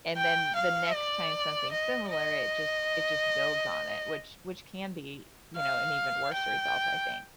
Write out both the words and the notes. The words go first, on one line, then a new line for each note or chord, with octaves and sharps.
and then the next time something similar, it just it just builds on it, which which can be, you know, an even worse result, I think.
G5
F5
D5
D#5
D#5
F5
G5